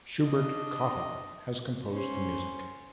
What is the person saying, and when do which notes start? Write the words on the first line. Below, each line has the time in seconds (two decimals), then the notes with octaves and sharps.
Schubert Cotta has composed the music.
0.22 D4 D#5
1.91 C#4 C5